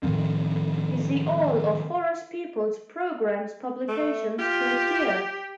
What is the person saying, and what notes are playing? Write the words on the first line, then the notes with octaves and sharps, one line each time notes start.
To see all of Forest Peoples Programme's publications click here.
A2 D#3 F3 C4
A3
F4 G4